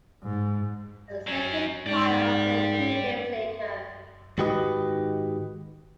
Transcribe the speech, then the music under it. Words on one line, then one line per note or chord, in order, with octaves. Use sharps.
A second fire occurred two days later.
G#2
F#3 C#4
G#2 D5 G5
G#2 D#3 F#4 G4 B4 D#5